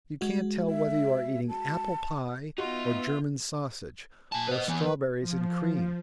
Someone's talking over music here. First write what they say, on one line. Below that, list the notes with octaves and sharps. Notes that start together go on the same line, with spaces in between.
You can't tell whether you are eating apple-pie or German sausage, or strawberries and cream.
G#3 F#4
E5
A5
B3 D#4 F4 F#4 E5
A#2 G#5 A5
B4 C5 D#5
E3 B3 G#5
B4
F3